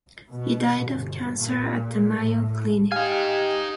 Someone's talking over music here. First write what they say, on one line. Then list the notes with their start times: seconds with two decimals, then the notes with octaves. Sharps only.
He died of cancer at the Mayo Clinic.
0.31 B2
0.85 G1
1.35 A#2
2.16 A2
2.92 D#4 G4 F5 G#5